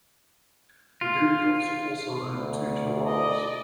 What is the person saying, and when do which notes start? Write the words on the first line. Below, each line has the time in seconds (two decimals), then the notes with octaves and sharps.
The Dudikoffs also own two chihuahuas.
1.01 F4
2.29 D2
3.07 D5 D#5